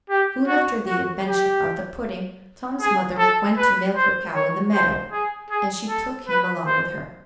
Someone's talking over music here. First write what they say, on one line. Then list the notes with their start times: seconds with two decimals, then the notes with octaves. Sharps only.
Soon after the adventure of the pudding, Tom's mother went to milk her cow in the meadow, and she took him along with her.
0.10 G4
0.47 F#4
0.87 F#4
1.26 G4
2.80 G#4
3.18 A4
3.57 B4
3.96 C5
4.35 C#5
4.73 C5
5.12 G#4
5.50 G#4
5.89 A4
6.28 B4
6.67 C5